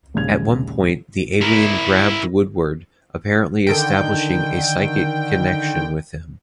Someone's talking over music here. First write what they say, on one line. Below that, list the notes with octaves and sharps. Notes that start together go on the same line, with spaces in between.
At one point, the alien grabbed Woodward, apparently establishing a psychic connection with him.
A#1 D#2 C#3 G#3 G#6 F7
E4 A#4
D3 D#3 G5